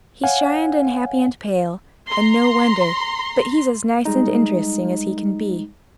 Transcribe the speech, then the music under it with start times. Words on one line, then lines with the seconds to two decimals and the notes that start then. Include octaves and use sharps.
"He's shy and unhappy and pale, and no wonder; but he's as nice and interesting as he can be."
0.24 C#5 F5 F#5 G#5
2.08 A#5 C6
4.05 G3 G#3 D#4